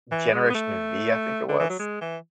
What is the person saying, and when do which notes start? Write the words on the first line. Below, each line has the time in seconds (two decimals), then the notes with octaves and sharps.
Generation V, I think it was?
0.12 E3
0.33 G#3
0.50 B3
0.54 A3
1.49 D3
1.59 E3
1.69 F#3
1.79 G#3
2.01 E3